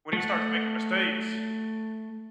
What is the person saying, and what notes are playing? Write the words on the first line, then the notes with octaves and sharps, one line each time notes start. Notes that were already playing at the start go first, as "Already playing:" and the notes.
when he starts making mistakes,
A3 F#5